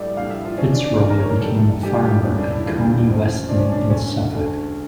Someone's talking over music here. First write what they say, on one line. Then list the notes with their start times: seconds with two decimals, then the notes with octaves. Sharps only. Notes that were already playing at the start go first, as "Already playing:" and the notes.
FitzRoy became a farmer at Coney Weston in Suffolk.
Already playing: A#1 A2 G3 D5 E5
0.16 A#1 A2 G3 F5
0.30 E5
0.45 F4
0.58 F2 C#3 E3 C#4
0.72 D4
0.85 D4
1.00 F2 C#3 E3 A#4
1.10 A#4
1.20 C#5
1.30 A#4
1.41 A#1 A2 G3 A4
1.83 A#1 A2 G3 G4
1.94 F4
2.04 G4
2.24 E1 E2 D3 G3 C#4
2.38 D4
2.52 E4
2.66 E1 E2 D3 G3 F4
3.07 C#2 C#3 F3
3.49 C#2 C#3 F3 D4
3.60 C#4
3.72 D4
3.90 E1 D2 D3 A3 C#4
4.33 E1 D2 D3 A3